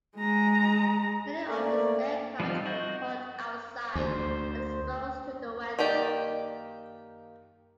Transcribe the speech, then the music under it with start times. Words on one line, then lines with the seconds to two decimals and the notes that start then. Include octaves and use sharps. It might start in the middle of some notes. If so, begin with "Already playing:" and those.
Many of its aircraft were parked outside and exposed to the weather.
0.17 G#3 A#5
1.47 A3 A#3 D5
2.40 F3 G3 C4 D#4 F4
2.66 F#4 D#5 G6
3.95 D2 C5
5.79 D#3 A#3 G4 D5